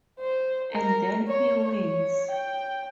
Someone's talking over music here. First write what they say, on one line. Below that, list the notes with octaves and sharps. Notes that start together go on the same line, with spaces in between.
And then he wins.
C5
A#4
C#5
C#5
G5